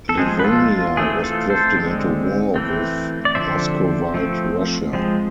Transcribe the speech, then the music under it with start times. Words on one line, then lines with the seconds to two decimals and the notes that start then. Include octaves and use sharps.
Livonia was drifting into war with Muscovite Russia.
0.09 A4
0.18 F3 G#3 C4 G#4
0.39 B4
0.44 F4 A4
0.71 F4
0.97 E3 A3 C4 G#4
1.23 F4 A4
1.50 A4 C5
1.77 D3 G#3 C4
2.56 E3 A3 C4
3.25 D5
3.35 D3 F3 A3 C4 C5 E5
4.14 F3 A3 C4
4.93 F3 G#3 C4